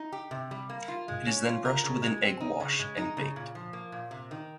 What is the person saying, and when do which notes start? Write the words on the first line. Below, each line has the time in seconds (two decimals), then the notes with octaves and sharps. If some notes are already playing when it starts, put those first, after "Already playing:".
It is then brushed with an egg wash and baked.
Already playing: D#4
0.13 G4
0.31 C3
0.51 G3
0.70 A#3
0.88 F4
1.08 G#3
1.27 C#4
1.46 F4
1.65 A#4
1.84 C#3
2.02 G#3
2.22 C4
2.40 D#4
2.60 C#3
2.79 G#3
2.97 D#4
3.17 C#3
3.36 A#2
3.55 F3
3.73 A#3
3.92 A#2
4.11 C3
4.31 D#3